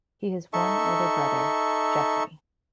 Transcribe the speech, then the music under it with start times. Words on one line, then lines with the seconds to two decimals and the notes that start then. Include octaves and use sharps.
He has one older brother, Jeffrey.
0.53 D#4 A4 E5 C#6